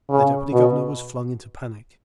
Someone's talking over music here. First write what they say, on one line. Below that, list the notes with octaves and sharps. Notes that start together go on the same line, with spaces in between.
The Deputy-Governor was flung into panic.
C#3
B2